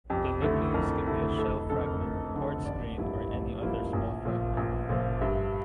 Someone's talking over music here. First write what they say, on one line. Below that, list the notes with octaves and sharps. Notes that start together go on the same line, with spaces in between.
The nucleus can be a shell fragment, quartz grain or any other small fragment.
F2 G4
D3 A3 E4 A4
F2 A#4
D3 A3 E4
F1 A4
F2 D3 A4
A#4
F1
F2 D3
A1 D5
G2 F3 A#3 E4
A1
G2 F3 A#3 E4
A#1
A#2 F3
A#1
A#2 F3
G2 E5